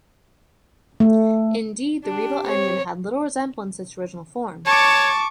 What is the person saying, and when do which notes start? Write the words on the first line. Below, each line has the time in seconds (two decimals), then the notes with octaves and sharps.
Indeed, the rebuilt engine had little resemblance to its original form.
1.00 A3
2.05 D4 G4
2.47 C4 C#5
4.67 C#5 A5 C#6 D6